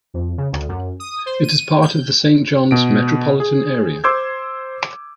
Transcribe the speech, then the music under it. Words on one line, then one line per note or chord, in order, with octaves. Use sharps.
It is part of the Saint John's Metropolitan Area.
F2
C#3
D2
F#2
D#6
C5
D#7
G6
B2 D7
G#4
C5 C6 D6 E6 G6 G#6